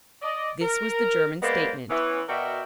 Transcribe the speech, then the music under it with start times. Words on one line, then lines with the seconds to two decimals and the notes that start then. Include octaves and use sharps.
This was the German statement.
0.22 D5 D#5
0.62 A#4
1.43 G#3 A#3 B3 B4 C5 D5
1.90 E3 B3 C#4
2.29 B2 F#4 A#4 D5 E5 G5